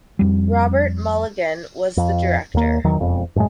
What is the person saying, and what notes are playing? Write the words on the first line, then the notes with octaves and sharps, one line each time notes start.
Robert Mulligan was the director.
F2 G3
F2
D#2 A#3
E2 D#3 F#3
E1 F2
F#2 A2 G#3